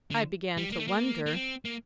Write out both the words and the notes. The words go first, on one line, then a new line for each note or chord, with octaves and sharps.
"I began to wonder."
D3
G3
A#3
A3
A#3
A#3
C4
A#3